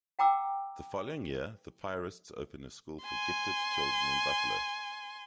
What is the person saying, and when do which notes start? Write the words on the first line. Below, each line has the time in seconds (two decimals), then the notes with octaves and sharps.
The following year, the Piarists opened a School for Gifted Children in Buffalo.
0.19 F#5 G5 A#5 D6 E6
3.03 G#5 C6